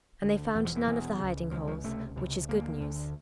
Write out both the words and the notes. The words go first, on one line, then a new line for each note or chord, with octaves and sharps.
And they found none of the hiding-holes, which is good news.
D2 D3
E2 B2
F3
E3
E2 B2
C#2 C#3
C#2 C#3 F3
F3
C#2 C3 A3
C#2 C3
D2 D3 A#3
D2 D3